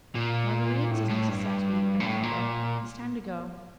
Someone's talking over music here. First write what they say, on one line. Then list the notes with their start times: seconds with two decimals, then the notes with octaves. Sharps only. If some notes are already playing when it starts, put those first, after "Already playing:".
"Marguerite," said Mrs. Saxby at my elbow, "it is time to go."
0.15 A#2
0.91 A2
1.09 A2
1.29 G2
2.00 A#2
2.05 A2
2.23 A#2